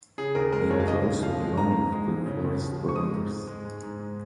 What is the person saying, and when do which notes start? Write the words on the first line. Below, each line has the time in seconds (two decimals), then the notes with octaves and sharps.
He was also one of the Forest Brothers.
0.18 C#3 G#4
0.35 D#2 A#4
0.53 G#3 A#4
0.70 D#2 C#5
0.80 F5
0.88 C#3 D#5
1.05 D#2
1.22 F3 F5
1.40 G#3
1.58 D#3 A#5
1.74 G#2
1.92 G#3
2.09 G#2
2.26 C#3
2.44 D#2
2.62 F3
2.78 G#3
2.89 C#6
2.96 G#3 D#6
3.14 G#2
3.30 G#2
3.47 G#3
3.65 G#3
3.82 G#2
3.99 G#2